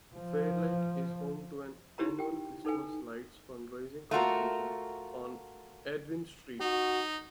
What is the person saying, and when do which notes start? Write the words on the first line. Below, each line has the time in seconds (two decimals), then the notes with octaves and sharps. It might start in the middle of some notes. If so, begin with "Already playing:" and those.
Fairlight is home to an annual Christmas Lights fundraising competition on "Edwin Street".
0.16 F3
1.98 D#4 E4 F#4 G4 B4 A#5
2.19 G4 G5
2.65 D#4 A4 B4 G#5
4.11 A3 F4 F#4 A#4
6.60 D#4 F#4